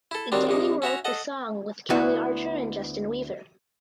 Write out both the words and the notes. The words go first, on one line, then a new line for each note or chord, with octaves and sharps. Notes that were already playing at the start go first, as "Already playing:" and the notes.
Denning wrote the song with Kelly Archer and Justin Weaver.
E4 A4
D#3 F#3 G3 C4 D4
A#1 C3 D#4
C#4 F#4 E5 A#5
A4 D#5 F#5
D2 B3 E4 F#4